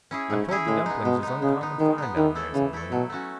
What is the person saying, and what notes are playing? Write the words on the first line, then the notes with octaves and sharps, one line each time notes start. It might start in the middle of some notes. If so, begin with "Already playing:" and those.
'I'm told the dumplings is uncommon fine down there,' said William.
C#4 E4 G#4
G#2 A3
C#4 E4 G#4
A2 G#3
B3 D#4
B2 G#3
B3 D#4
C#3 G#3
B3 D#4
D#3 G#3
B3 D#4
D#3 E3
A3 E4 A4
C#3 E3
A3 E4 A4
B2 F#3
A3 C#4 F#4